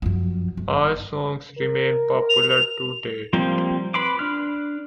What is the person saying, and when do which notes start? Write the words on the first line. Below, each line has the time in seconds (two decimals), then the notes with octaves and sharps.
All songs remain popular to date.
0.02 F#2 F3
0.57 G1
1.58 A#4
2.29 F7
3.33 F3 G3 A#3 C4
3.94 B4 B5 C6 D6
4.19 D4 F6